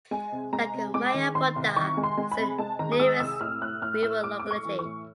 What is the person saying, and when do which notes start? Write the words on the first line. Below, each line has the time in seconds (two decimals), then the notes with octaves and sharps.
Lakomaya Buda is the nearest rural locality.
0.11 G#3 G#5
0.32 C3
0.53 G#3 A#5
0.74 C3
0.94 G#3 D6
1.14 D#3
1.35 D#3 C6
1.56 C2
1.76 D#3 C#6
1.97 G#3
2.04 C6
2.17 G#3
2.32 B5
2.38 C3
2.58 G#3 A5
2.79 D#3 A#5
2.92 D#6
3.00 G#3 E6
3.20 C2 E6
3.41 A2 F6
3.61 A2 F#6
3.82 A2 F6
4.03 A2 E6
4.24 A2 D6
4.40 A3 D6
4.51 C#6
4.65 E3
4.79 C#6
4.85 A2